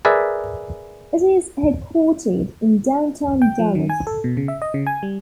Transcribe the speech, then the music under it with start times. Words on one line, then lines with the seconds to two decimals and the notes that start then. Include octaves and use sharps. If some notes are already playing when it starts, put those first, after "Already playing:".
It is headquartered in Downtown Dallas.
0.05 G#4 A#4 B4 D5 E5
3.42 G5
3.59 F3
3.75 D#3
3.90 G#5
4.07 A4
4.24 B2
4.37 C#3
4.48 E5
4.62 D#5
4.74 C#3
4.87 G#5
5.03 G3